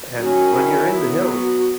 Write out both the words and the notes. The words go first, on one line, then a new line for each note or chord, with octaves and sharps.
and when you're in the hills,
D#3 F#3 C#4 F#4
E4
F#3 B3
F#4